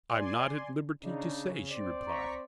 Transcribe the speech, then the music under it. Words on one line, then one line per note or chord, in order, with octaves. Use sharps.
"I'm not at liberty to say," she replied.
D5 G#5 C6
C#3 D4 D#4
C4 C5 D5
A#5 C#6 B6